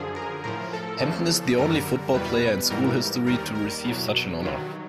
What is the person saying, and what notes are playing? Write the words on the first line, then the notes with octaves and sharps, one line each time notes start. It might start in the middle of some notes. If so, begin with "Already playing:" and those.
Hampton is the only football player in school history to receive such an honor.
Already playing: F#2 D3 F3 G#4
A#4
A2 F3 A#4
A4
E2 C#3 F3
F#2 D3 G3 A#4
E2 B2 G3 B4
G#2 E3 G3 A#4
D#2 D#3 G3 A#4
A#4
E2 B2 F#3
G2 D#3 F#3